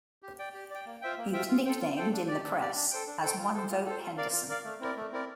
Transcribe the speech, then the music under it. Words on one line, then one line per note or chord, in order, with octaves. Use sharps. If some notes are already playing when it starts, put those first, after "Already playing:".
He was nicknamed, in the press, as one vote Henderson.
G4
D5 G5
G4
D5 G5
A#3
F4 C5 E5 G5
A#3
F4 C5 E5 G5
F4
A4 C5 G5
F4
A4 C5 G5
D4
G4 D5
D4
G4 D5
D4
A4 C5 G5
D4
A4 C5 G5
F4
A4 C5
F4
A4 C5
F4
A#4 D5 F5
F4
A#4 D5 F5
A3
C4 E4 A#4 D5
A3
C4 E4 A#4 D5